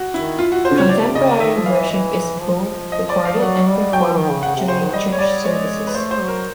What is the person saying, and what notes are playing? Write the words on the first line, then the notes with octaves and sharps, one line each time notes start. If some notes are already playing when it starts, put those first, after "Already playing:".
Contemporary worship is both recorded and performed during church services.
Already playing: F#4
D#3 E4
F4
F#4
C5
C#5
C3 D5
C#3 D#5
D#3 E5
F3
E3 F5
E3 D#5
F3
D#5
D5
F5
G3
F#3 F#5
G3
F#3 G5
F3
D#3
C#3
C#3 F#5
C3
C#3 C5
D#3
G3 D#5
C#5
G3 D5
G#3 C#5
B4
A3 C5
C5
F#3
A#4